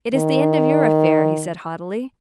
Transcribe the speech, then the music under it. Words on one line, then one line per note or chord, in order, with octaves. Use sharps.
'It is the end of your affair,' he said haughtily.
D#3